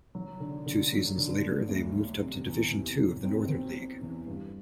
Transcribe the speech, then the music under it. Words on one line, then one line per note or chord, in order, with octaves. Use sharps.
Two seasons later, they moved up to Division Two of the Northern League.
F#3
D3
D3
F#3
D3
A3
D2
F#3
C3
E2
C3
F#3
C4
C4
C4
E2
G2